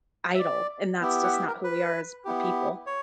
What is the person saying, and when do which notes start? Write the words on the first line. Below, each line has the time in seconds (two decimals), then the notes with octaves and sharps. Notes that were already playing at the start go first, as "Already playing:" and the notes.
idle, and that's just not who we are as a people.
0.35 E5
0.39 D5
1.01 B3 E4 G4
1.23 F#5
1.33 E5
1.48 A#4
1.64 B4
2.25 B3 E4 G4
2.87 C#5